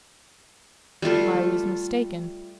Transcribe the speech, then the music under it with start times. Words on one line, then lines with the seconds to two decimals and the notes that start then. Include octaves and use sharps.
I was mistaken.
1.02 G3 A3 F4 A4